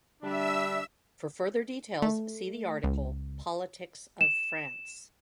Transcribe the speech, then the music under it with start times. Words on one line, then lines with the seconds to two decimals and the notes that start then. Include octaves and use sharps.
For further details see the article: Politics of France.
0.22 D3 G3 D4 E5 E6
2.02 A3
2.84 C#2
4.21 E7